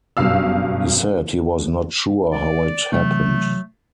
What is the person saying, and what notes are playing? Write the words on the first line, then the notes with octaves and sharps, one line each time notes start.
He said he was not sure how it happened.
F#1 G2 B2 F5 E6
D5
C3 E3 F#3 A3